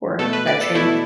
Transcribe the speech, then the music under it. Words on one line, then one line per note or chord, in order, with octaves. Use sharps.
For that change.
B2 A3 A4
B4
D5
A4
B2 A3 E4